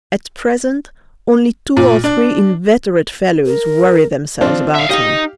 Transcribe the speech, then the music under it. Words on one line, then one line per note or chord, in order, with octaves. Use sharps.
At present, only two or three inveterate fellows worry themselves about him.
A#2
D4
A#4
F3 C4 D4
E5 F5
D#4 G4 D#5 F5